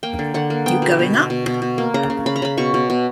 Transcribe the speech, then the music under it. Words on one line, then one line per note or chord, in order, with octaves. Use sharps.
You going up?
A#3 G5
D3
D3 F#5
A#3
B3 G5
B2
B2
B2
B2
B2
B2
A#3
C#3 A#5
C#3
C#3 B5
A#5
C#3 B5
B2 C#6
B2
B2